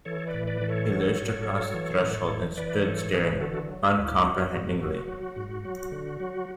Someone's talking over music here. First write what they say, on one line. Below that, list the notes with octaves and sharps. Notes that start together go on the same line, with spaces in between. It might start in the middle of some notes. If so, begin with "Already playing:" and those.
He lurched across the threshold and stood staring uncomprehendingly.
E3 A4 C#5
B4 D5
A2
B4 D5
E3
A4 C#5
F#3
G#2
F#3
E3
A2
E3
E3 B4 D5
G#2 A4 C#5
E3 G#4 B4
D3 F#4 A4
F#3
G#4 B4
D2
E4
F#3 F#4
G#2
F#3
F#3
G#2
F#3
D3
F#3